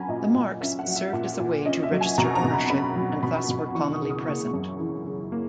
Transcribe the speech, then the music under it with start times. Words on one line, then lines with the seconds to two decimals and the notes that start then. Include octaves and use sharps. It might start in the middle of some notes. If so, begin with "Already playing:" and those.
The marks served as a way to register ownership and thus were commonly present.
Already playing: F#3 C#4 G#5 A#5 B5
0.08 A#2 D#5
0.35 A#2
0.61 C#4 E5
0.79 F#5
0.87 F#3
0.96 E5
1.13 A#2 F#5
1.40 A#2
1.65 C#4 D#5
1.83 E5
1.92 F#3
2.01 G#5
2.18 B2 A#5
2.35 A#5
2.44 B2
2.53 B5
2.70 C#4 B5
2.96 F#3
3.23 B2 B5
3.49 B2
3.75 E3 C#6
3.93 D#6
4.01 C#3
4.10 D#6
4.28 A#3 C#6
4.54 F#2
4.80 E3
5.06 C#3
5.32 A#3